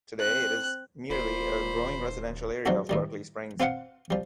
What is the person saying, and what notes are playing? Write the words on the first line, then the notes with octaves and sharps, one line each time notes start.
Today, it is merely a growing residential area of Berkeley Springs.
C4 F#6
D#1 A#2 C5 B5
F3 F#3 G#3 A3 D4 F#4
A2 D#3 G3
C4 F4 C5 F5 F#5
F3 G3